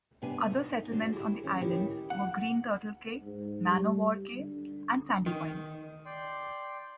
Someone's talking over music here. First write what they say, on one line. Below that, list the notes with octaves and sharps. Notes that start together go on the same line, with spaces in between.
Other settlements on the islands were Green Turtle Cay, Man-o-War Cay, and Sandy Point.
G2 C3 B3 D4 G#5
B3 D#4
G2 D3 F#4 C5
E4 G4 G#4
E3 C#4
D#3 E4 G4
F#5
G#2
G3
D3
D#3
D5 G5 C6